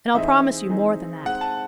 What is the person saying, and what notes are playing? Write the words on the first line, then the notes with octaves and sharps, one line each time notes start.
And I'll promise you more than that.
E3 C4 D#4 G#4 D#5 E5
E3 C4 D#4 G#4 D#5
G#3 C4 D#4 F#5
A5